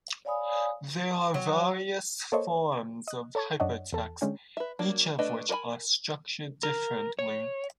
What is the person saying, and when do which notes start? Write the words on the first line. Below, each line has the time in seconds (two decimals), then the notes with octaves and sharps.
There are various forms of hypertext, each of which are structured differently.
0.25 C#5 D5 F5 G#5 B5 D#6
1.34 F#3
2.32 A#3 A4 C5 C#5 D#5
3.08 D#5 F#6
3.35 A4 C#5 A5 C#6 G#6
3.60 F#2 D4 C#5 D#5 F#5
3.92 E2 A4 A5
4.21 D3 G#3 C#4 G5
4.57 B4 E5
4.79 F#3 A#3 D4
5.19 A3 D4 B4 D#5
5.49 A#4 B4 D5 G#5 B5
6.63 A#4
7.19 C#5